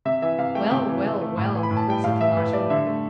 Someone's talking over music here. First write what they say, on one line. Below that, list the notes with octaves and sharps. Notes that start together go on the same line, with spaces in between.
"Well, well, well!" said the large woman.
C3 E5
E3 E5
C3 F5
A3 G5
C3 G5
E3
C3
A3
A2
E3
B5
A2
A5
G3 G5
A2 F5
E3 E5
A2 B4
G3 D5
D3 E5
A3